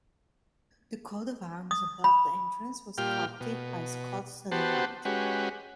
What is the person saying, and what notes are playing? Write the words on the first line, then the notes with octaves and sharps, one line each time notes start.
The coat of arms above the entrance was sculpted by Scott Sutherland.
D#6
B5
A#2 G3 F4 G4 G5 F6
B2
B3 F#4 G4 C5 A5
G#3 C#4 F#4 G4 B4